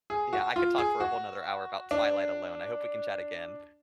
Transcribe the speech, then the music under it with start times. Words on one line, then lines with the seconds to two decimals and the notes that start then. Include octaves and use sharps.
Yeah, I could talk for a whole 'nother hour about Twilight alone, I hope we can chat again.
0.10 G#4
0.33 F#4
0.56 F4
0.78 G#4
1.00 F#4
1.91 D4